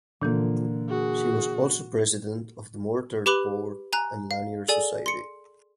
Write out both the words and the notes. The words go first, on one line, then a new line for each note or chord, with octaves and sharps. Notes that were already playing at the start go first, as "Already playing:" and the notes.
She was also president of the Mortar Board and Lanier Society.
A#2 D3 E3 F3 A#3
F#4 G#4
G4 B4 B5 D6 F#6 F#7
G#5 A#5 F#6
F5
G#4 A4 D5 G#5
C6 C#7